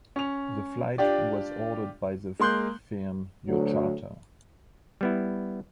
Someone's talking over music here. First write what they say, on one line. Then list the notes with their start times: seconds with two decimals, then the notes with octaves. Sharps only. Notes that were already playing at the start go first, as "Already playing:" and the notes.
The flight was ordered by the firm "Your Charter".
0.16 C#4 F7
0.98 D4 F4 G4 D5
2.40 G#3 A#3 C6 F#6 G6
3.48 D2 F#3
5.01 G3 B3 E4